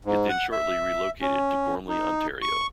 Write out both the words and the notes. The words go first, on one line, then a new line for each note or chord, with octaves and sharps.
It then shortly relocated to Gormley, Ontario.
G#2
F#5
E5
C#4
D#4
C#6